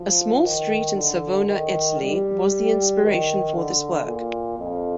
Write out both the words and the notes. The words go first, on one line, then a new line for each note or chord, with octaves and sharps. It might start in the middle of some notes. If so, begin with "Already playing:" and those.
A small street in Savona, Italy, was the inspiration for this work.
Already playing: F3
D#3
D3
D#3
G3
D#3
D3
A#2
F2